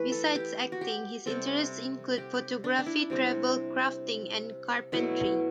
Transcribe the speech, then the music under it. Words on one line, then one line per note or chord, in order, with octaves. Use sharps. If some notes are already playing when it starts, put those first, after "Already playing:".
Besides acting, his interests include photography, travel, crafting, and carpentry.
Already playing: E3 A3 B4
A4
G4
F#4
G4
C3 G3 C4 A4
G4
D4
D4
E4
C3 G3 C4
B2 F#3 A3 E4